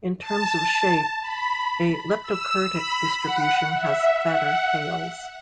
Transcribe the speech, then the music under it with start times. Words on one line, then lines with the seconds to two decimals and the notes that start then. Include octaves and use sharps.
In terms of shape, a leptokurtic distribution has "fatter tails".
0.21 A5
1.22 B5
2.23 E6
2.73 B5
3.23 F#5
3.74 E5
4.24 F#5